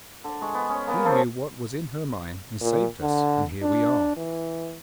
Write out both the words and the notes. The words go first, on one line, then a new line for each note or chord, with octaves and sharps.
He knew what was in her mind and saved us, and here we are.
D3
G#3 C#6
B3
C#4
A#3 B3 A#4 B4
C#3 F3 A4 C5
A#2
D3
D4
E3